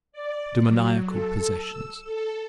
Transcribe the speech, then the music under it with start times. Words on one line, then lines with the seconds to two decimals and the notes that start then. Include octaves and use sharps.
Demoniacal possessions.
0.12 D5
0.65 F#3
1.06 A4
1.57 E6
2.04 A4